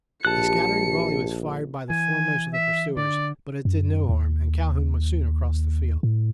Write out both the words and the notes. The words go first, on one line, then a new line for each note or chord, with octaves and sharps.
A scattering volley was fired by the foremost of the pursuers, but it did no harm, and Calhoun was soon across the field.
A#1 G4 A5 F#6 C#7
E3 G#5
E5
D3 D5
F#2
D#2
A2